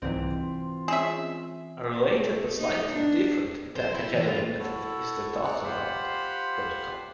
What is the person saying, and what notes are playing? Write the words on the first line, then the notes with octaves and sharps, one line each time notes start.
A related but slightly different data-gathering method is the talk-aloud protocol.
C2 G#2 E3 C4 F4
G#3 C4 C#4 G#4 E5 E7
A3
D#4
D4
C5
E4
E3
F4
E4 F#4 A4 C#5
G#3 D#4 D5 C#6 F#6
F4 G4 C5 F#5 B5